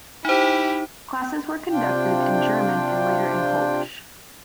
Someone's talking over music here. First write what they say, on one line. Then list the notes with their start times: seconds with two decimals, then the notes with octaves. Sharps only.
Classes were conducted in German and later in Polish.
0.25 D#4 E4 G4 C5
1.70 C3 D4 F4 G5